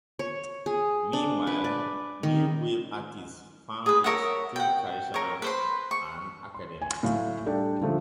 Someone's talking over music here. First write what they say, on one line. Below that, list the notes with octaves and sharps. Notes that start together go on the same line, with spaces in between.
Meanwhile, "New Wave" artists found it too "traditional and academic".
C#5
G#4
D4
B4
D5
D#3
G#4 B4
A#4 C#5 E5 F#5
F#5 G5
A#4 C#5
B4 C5 C6
C#6
C6
G#5
A2 F#3 F5
G3 D4 G4 A4 D5
D3 F3 A3